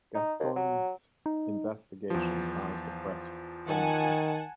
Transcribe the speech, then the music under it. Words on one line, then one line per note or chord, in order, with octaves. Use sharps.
Gascoyne's investigation caused a press frenzy.
D#4
D#2
F#3
D#4
E2 F3
D#3 F#5 G#5 A5